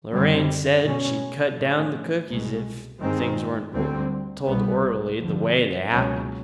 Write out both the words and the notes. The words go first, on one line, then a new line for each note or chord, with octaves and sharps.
Lorraine said she'd cut down the cookies if things weren't told orderly the way they happened.
F#2 D3 G3 C4
B2 G#3 C#4
A2 F3 A3 C#4
C2 B2 G#3
G2 D#3 G#3 C4
D2 D3 G3 C4
C2 B2 G3 B3
F2 D3 F3
C#2 B2 F#3 A#3 C#4